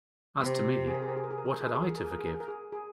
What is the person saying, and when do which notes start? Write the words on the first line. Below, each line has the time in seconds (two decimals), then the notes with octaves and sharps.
As to me, what had I to forgive?
0.40 C3
0.87 G#4
0.94 A#4
1.02 G#4
1.09 A#4
1.17 G#4
1.24 A#4
1.31 G#4
1.38 A#4
1.46 G#4
1.53 A#4
1.61 G#4
1.68 A#4
1.75 G#4
1.82 A#4
1.90 G#4
1.97 A#4
2.04 G#4
2.12 A#4
2.19 G#4
2.26 A#4
2.34 G#4
2.40 A#4
2.48 G#4
2.72 G#4